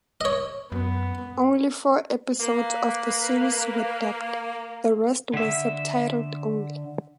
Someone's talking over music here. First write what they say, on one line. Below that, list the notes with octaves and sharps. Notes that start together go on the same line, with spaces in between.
Only four episodes of the series were dubbed; the rest were subtitled only.
C#5 D#5
F#2 B3
A#3 B4
D3 E5